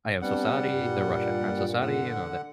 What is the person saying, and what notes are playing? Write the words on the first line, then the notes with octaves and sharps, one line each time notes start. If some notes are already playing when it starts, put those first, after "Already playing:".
"I am so sorry."- They're Russian.- "I'm so sorry." You know that
G3 B3 C4 D4 F#5
G2 A#2
D3 F#5